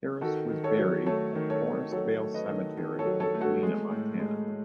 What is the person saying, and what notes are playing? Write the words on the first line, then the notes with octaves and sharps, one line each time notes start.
Harris was buried at Forestvale Cemetery in Helena, Montana.
D#3 F#4 A4
D#3
A4 C#5
F#3
A3 A4 C#5
D#3
A4 C#5
D#3
F#3 A4 C#5
A3
B4 D#5
D#3
D#3
A4 C#5
F#3
A4 C#5
A3
F#4 A4
G#3
A2
G#3
A2